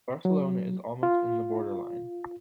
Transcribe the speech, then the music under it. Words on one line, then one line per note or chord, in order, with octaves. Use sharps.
Barcelona is almost in the border line.
F#3
F4